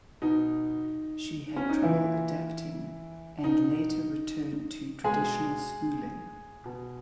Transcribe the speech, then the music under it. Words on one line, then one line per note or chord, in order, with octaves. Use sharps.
She had trouble adapting and later returned to traditional schooling.
B2 D#4
C#4
D#4
A#2 E3 E4
B2 D#4
B2 G#3 G#4
B2